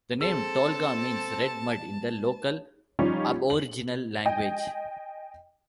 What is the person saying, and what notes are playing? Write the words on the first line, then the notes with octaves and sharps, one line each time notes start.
The name Tolga means "red mud" in the local Aboriginal language.
C4 G#4 A4 A5
F3 G3 C#4 D#4 F4 G4
F#7
D#5 G5 G#5